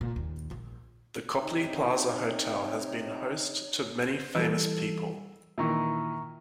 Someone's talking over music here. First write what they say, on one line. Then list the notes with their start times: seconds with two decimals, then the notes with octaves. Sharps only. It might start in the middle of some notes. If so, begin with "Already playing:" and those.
The Copley Plaza Hotel has been host to many famous people.
0.01 A#2
0.16 D#2
0.51 A#1
1.39 C3 D#4 C#5
4.35 E3 G3 A4 E6
5.58 A#2 D#3 E3 E5 A#5 C#6